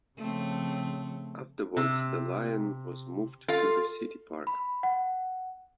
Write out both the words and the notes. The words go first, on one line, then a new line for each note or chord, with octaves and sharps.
Afterwards the lion was moved to the city park.
C#3 F3 A3 C4
C3
F4 A4 F5
B5
F#5